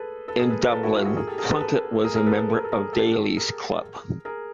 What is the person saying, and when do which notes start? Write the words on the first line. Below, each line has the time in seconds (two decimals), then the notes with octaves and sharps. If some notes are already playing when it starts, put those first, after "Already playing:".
In Dublin, Plunket was a member of Daly's Club.
Already playing: G#4 A4 B4
0.28 A4 B4
0.39 G#4 A#4
0.50 A4 B4
0.61 G#4 A#4
0.72 A4 B4
0.83 E4 F#4
0.94 F4 G4
1.05 F#4 G#4
1.16 G#4 A#4
1.27 G4 A4
1.38 G#4 A#4
1.49 A4 B4
1.60 A4 B4
2.05 G#4 A#4
2.15 G#4 A#4
2.26 A4 B4
2.38 A4 B4
2.49 B4
2.57 A#4
2.64 A4
2.72 G#4 A#4
2.93 G4 A4
3.37 G#4 A#4
4.25 G#4 A#4